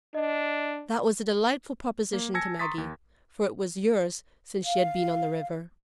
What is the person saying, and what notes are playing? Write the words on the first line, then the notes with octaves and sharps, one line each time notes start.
That was a delightful proposition to Maggie, for it was years since she had been on the river.
D4 D#5
A#3
G#5 A5 E6 G#6 A#6 C#7
A#5 C6 C#6 D#6 A6 B6
D#2
F5